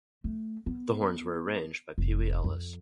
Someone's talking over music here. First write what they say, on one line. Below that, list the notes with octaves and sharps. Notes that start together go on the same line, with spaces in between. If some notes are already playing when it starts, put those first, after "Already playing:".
The horns were arranged by Pee Wee Ellis.
A3
B3
F1
F2